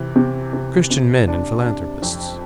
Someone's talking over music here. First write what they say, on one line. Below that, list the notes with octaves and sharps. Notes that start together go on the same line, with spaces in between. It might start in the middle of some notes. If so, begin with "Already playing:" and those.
Christian men and philanthropists!
Already playing: C3 E3
C3
C3
C3
D4
D4
F2